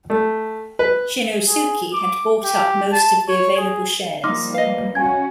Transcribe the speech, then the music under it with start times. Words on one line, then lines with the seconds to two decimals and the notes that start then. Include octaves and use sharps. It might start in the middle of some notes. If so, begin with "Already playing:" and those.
Shinnosuke had bought up most of the available shares.
0.10 A3
0.79 B4
1.48 G#4
1.93 D6
2.44 G4
2.92 A5
3.28 C#5
3.57 G#4
4.24 F3 G3 A#3 D#4 C6 D6 F6
4.54 B4 D#5 F5
4.95 C#4 F#4 G#5 G#6